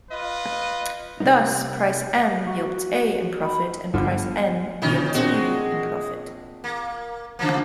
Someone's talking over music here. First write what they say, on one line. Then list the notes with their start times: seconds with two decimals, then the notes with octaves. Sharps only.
Thus price M yields A in profit and price N yields B in profit.
0.11 F4 B4 D#5
1.20 C3 G3 A#3 B3 D#4
2.47 F#4
3.43 B5
3.94 G1 D3 F3 G3 B3
4.82 B2 D3 D#3 C#4 D#4
5.14 A#2 G#3 C4 D4 F#4
6.64 A#3
7.39 C#3 F3 A#3